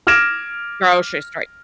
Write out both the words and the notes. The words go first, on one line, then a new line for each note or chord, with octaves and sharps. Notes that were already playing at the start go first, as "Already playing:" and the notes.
grocery store
D6 F6 G#6 A#6 D7 E7